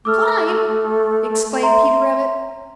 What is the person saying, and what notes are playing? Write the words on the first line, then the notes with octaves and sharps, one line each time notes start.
"Climb!" exclaimed Peter Rabbit.
A3 D6 E6 F6
E5 A#5 C6